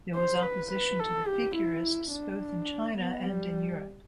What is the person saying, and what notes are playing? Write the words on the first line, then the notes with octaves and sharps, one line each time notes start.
There was opposition to the Figurists both in China and in Europe.
C5
B4
B4
A4
G4
E4
D4
B3
G3